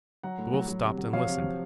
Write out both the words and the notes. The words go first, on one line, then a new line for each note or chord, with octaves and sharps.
The Wolf stopped and listened.
F#3 F#5 A#5
A2
F#3
F#3
C3
F#3
F3 C#5 F5
C3
F3